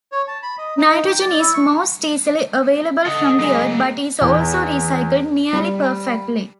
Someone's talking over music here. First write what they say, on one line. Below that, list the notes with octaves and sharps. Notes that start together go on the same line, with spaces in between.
Nitrogen is most easily available from the Earth, but is also recycled nearly perfectly.
C#5
A5
B5
D#5
D#4
G5
D5
E4
C#6
A4 D#5 F#5
F#3 G#3 A#3
E2
G3